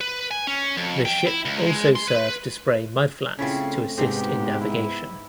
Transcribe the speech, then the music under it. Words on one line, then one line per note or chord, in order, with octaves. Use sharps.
The ship also served to spray mudflats to assist in navigation.
B4
G#5
C#4
F2
G5
E4
C#2
G#3
C6
B4
C#3 A3 C4 C#4 E4 F4
G#2 C3 B3 C4 D#4 G4 G#4
E4